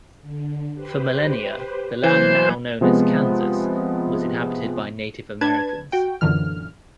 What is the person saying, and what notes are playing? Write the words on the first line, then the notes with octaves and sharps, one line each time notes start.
For millennia, the land now known as Kansas was inhabited by Native Americans.
D3
G4 B4 C5
E3 F#3 A#3 C5
C3 F3 G#3 B3
D4 B4 A5 G#6
F#4 G5
F#2 A#2 D3 E3 F6